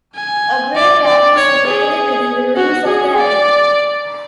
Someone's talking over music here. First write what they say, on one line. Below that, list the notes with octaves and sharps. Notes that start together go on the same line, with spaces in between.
A graveyard is situated within the ruins of the Abbey.
G#5
D5
D5
C#5
G#4
F#4
G#4
D5